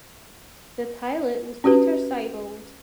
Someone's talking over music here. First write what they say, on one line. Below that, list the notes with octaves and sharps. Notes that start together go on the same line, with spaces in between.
The pilot was Peter Siebold.
C#4 F#4 G4 B4